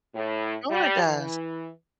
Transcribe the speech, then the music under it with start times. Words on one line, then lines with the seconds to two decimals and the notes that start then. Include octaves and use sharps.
No. It does.
0.15 A2
0.70 G3
1.06 E3